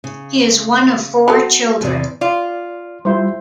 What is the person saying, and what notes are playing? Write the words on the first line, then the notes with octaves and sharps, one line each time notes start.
He is one of four children.
C#3
F#3 B3 A4
E2 C3 D5
F4 D5
G3 E4 F4 C5